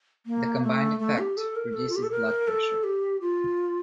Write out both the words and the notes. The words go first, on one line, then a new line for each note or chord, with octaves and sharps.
The combined effect reduces blood pressure.
A#3
A3
A3
G4
A4
A#4
A4
F4
G4
A4
A#4
A4
G4
F4